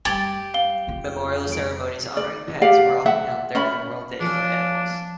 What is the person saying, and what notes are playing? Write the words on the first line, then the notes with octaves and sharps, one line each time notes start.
Memorial ceremonies honoring pets were often held there on World Day for Animals.
F#2 G3 G4 G#6 A6 F#7
F5 G7
F2 F4
D7
D5
G4 D5 F5 F#5
E5 F#5
C#4 E5 B5
F3 C#4 D4